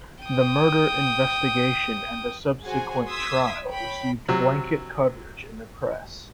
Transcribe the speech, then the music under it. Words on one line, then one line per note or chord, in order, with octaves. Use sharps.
The murder investigation and the subsequent trial received blanket coverage in the press.
G5 D#6
F#4 G#4 C5 G#5
C6 D#6 E6 G#6 B6
C#5 G5 B5
C3 F#3